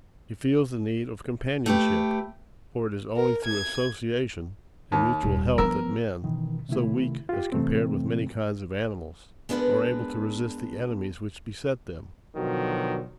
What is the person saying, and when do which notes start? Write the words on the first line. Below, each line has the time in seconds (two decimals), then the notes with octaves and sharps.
He feels the need of companionship, for it is only through association and mutual help that men, so weak as compared with many kinds of animals, are able to resist the enemies which beset them.
1.66 A3 G4 B4
3.17 A#4
3.45 G#6
4.92 D#2
5.23 D#1
5.58 F3 B3 A#4 E6
6.23 B2 D#3 E3
6.69 C3 D#3 A3 E4
7.29 F4 G4
7.52 C3 E3 A3 C4
9.49 G#3 B3 D4 A#4 B4
12.36 B2 D3 D#3 F3 F#3